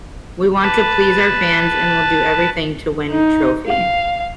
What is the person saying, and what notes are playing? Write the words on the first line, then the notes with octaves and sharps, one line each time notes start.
We want to please our fans and will do everything to win trophy.
B4 A5
D#4
F5